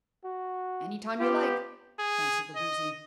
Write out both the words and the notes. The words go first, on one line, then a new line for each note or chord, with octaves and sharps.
"Any time you like," answered the Woozy.
F#4
B3 F4 G4
G#4
D#5